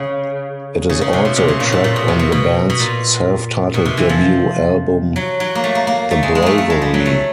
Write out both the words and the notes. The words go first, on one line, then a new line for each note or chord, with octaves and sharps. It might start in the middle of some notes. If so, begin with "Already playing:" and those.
It is also a track on the band's self-titled debut album, "The Bravery".
Already playing: C#3
C#3
C#3
C3
B2
C3
C#3
A#2
A2
A#2
B2
C3
B2
B2
B2
A#2
B2
C3
E3
F3
F#3
F#3
A#3
A3
A#3
A#3
A3
G#3
G#3
A3 A#3
A3
G#3
G3
F#3
A3